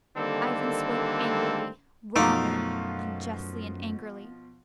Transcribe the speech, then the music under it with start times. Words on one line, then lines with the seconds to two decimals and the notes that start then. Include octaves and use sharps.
Ivan spoke angrily, wrongly. Unjustly and angrily.
0.17 D3 D#3 G3 A#3 C4 A4
2.16 F#2 B2 F3 A3 D#4 F5 D6